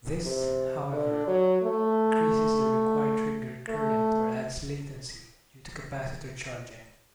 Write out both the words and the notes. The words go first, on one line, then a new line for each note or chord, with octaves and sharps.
This, however, increases the required trigger current or adds latency due to capacitor charging.
C3
D3
F#3
A3
A3